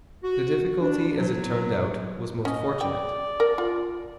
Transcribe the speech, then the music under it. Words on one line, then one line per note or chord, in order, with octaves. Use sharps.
The difficulty as it turned out was most fortunate.
F#4
D4
F#3
C#4 D#5
D5 G5
A#4
F4